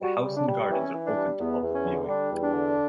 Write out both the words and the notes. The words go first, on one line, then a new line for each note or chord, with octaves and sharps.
The house and gardens are open to public viewing.
G3 F#4
C#3
D4
G3
E3 C#4
E3
D4
G3
E2 B3
E2
C#4
D3
G3 D4
E2
D4
D3